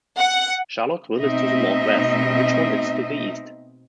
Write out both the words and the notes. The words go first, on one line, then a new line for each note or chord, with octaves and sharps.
Charlottesville is to the northwest, and Richmond is to the east.
F#5
B2 A3 C4 D#4 D#5 E5